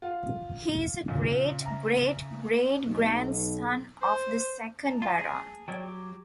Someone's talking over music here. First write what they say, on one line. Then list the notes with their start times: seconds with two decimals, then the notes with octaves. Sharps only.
He is a great-great-great grandson of the second Baron.
0.02 F4 F#5
1.08 A#2 C#3
1.61 E5 A#5
2.85 B1
4.01 C5
4.86 A5 A#5
5.02 F4
5.18 G#4
5.68 F#3 C#5 D5 G5
5.84 G4 D6